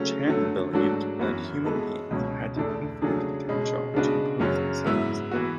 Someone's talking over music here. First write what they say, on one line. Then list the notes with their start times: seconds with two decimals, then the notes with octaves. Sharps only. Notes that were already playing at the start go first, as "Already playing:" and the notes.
Channing believed that human beings had an infinite potential to improve themselves.
Already playing: C#3 F#3 A3 C#4
0.28 D3 F#3 A3
0.73 G#2 F#3 A3 D4 F#4
1.19 F#2 E3 B3 F#4
1.65 E3 G#3 B3 F#4 A4
2.11 C#2 B2 F#3 C#4
2.56 E2 D3 A3 D4
3.02 C#3 F#3 A3 D4 G#4
3.48 B2 G#3 C#4
3.94 C#3 G#3 B3 D4 F#4
4.40 F#2 C#3 F#3 C#4
4.85 G#2 F#3 B3 E4
5.31 E3 B3 F#4